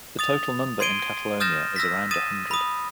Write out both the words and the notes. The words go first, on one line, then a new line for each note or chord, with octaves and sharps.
The total number in Catalonia is around a hundred.
D#6 A6 F7
C6 G#6 C7 D7 D#7 G7
D#6 F6 G6 A6 A#6 E7
E6 A#6 B6
D#6 A6 D#7 E7
B5 D#6